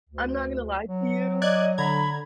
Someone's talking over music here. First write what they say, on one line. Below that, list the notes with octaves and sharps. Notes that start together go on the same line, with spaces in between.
I'm not gonna lie to you.
D2
F#3
D5 D#5 F#6 G#6
D3 A#5 B5 G#6